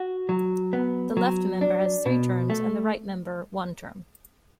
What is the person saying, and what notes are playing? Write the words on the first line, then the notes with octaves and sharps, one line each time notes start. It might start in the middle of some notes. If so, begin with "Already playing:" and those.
The left member has three terms and the right member one term.
Already playing: F#4
F#3
B3
F#3
D4
B2
A3